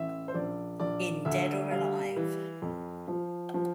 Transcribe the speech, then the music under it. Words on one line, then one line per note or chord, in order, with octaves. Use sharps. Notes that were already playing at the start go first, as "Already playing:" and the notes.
In Dead or Alive!
Already playing: A1 E5
C5
A#1 D5
A#1 D5
D2 E5
G3 F5
E3
F2
F3
F3